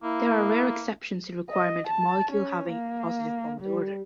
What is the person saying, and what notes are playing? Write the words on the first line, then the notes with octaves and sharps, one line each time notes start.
There are rare exceptions to the requirement of molecule having a positive bond order.
A#3 E4
D#5
A5
C#4
A#3
G3